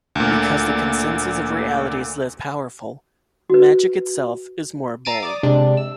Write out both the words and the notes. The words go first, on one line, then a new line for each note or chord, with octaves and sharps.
Because the consensus of reality is less powerful, magic itself is more bold.
D2 A#2
F#4 B4
A#5 E6 A6 C7 D7 D#7
D5 D6 D#6
C3 G#3 D4
E6